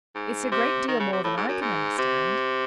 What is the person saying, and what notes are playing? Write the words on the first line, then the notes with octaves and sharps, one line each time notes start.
"It's a great deal more than I can understand."
G#2
C3
D#3
C#3
C3
A2
G#2
F#2
G#2
C3